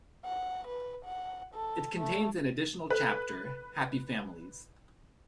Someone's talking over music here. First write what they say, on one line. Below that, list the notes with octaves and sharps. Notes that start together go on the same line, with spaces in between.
It contains an additional chapter, "Happy Families".
F#5
B4
F#5
A4
A3
A4 B4 F#6